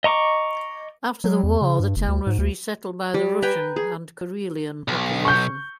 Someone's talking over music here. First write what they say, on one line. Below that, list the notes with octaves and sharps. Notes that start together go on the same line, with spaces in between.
After the war, the town was resettled by the Russian and Karelian population.
D#5 A#5 C#6 D6
F#3
E2
C#3
G2
F#1
D2
G#2
D2
G3
B4 G5 G#5 A#5
G#4
B1
C#6 G6